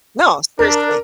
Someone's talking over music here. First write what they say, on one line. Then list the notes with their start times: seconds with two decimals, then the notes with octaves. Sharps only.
No, seriously,
0.59 D4 A#4